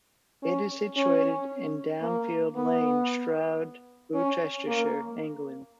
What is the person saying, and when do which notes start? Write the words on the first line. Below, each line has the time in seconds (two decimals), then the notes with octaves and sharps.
It is situated in Downfield Lane, Stroud, Gloucestershire, England.
0.43 C#4
0.96 C#4
2.02 A#3
2.56 B3
4.14 C#4
4.67 A#3